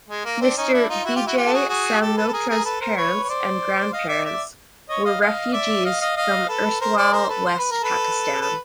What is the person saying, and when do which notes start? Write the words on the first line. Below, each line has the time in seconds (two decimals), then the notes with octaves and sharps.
Mr Vijay Samnotra’s parents and grandparents were refugees from erstwhile West Pakistan.
0.09 G#3
0.25 A#3
0.41 C4 D4
0.57 C#4 D#4
0.73 D4 E4
0.89 D#4 F4
1.05 E4 F#4
1.16 F4 G4
1.27 E4 F#4
1.37 F4 G4
1.47 A4
1.53 F#4 G#4
1.69 F#4 G#4
2.01 G4 A4
2.17 A4 B4
2.28 A4
2.33 G#4 A#4
2.49 G#4 A#4
2.65 A4 B4
2.81 A#4 C5
2.97 B4 C#5
3.24 C#5
3.29 C5 D5
3.93 D#5 F5
4.09 D5 E5
4.25 D5 E5
4.89 C#5 D#5
5.05 D#5 F5
5.21 D#5 F5
5.53 D5 E5
5.85 D#5 F5
6.01 D#5 F5
6.17 D#5 F5
6.49 A4 B4
6.81 A#4 C5
6.97 C5 D5
7.13 A#4 C5
7.29 A4 B4
7.45 C5
7.58 B4
7.71 A#4
7.83 A4 B4
8.41 A4 B4